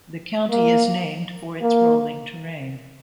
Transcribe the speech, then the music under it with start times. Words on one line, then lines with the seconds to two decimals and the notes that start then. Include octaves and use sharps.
The county is named for its rolling terrain.
0.50 A#3
1.62 A#3